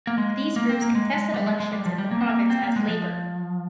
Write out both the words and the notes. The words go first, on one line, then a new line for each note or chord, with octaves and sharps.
These groups contested elections in the province as "Labour".
A#3
G#3
A#3
C4
A#3
G#3
G#3
G3
G#3
G#3
G3
F3
G3
A#3
C4
A#3
C4
A#3
G#3
F3